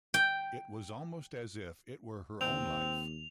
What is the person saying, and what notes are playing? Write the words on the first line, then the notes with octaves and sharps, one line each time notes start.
It was almost as if it were her own life.
G5
D#2 C4 F7